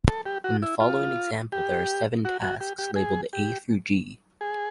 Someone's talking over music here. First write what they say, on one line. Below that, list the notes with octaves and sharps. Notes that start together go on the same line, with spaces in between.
In the following example there are seven tasks, labeled "A" through "G".
A4
G4
F#4
E4
F4
G4
F#4
F#4
G4
G4
G#4
G4
G#4